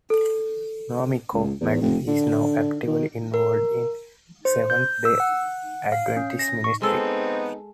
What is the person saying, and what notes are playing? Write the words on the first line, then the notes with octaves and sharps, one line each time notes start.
Nwamiko Madden is now actively involved in Seventh-day Adventist ministry.
A4
C#2
E2
F1
D3
D#3
A#4
C5
G6
E6
F#5
F5
C#4
A#6
C#6
G#3 B3 C4 D#4 A4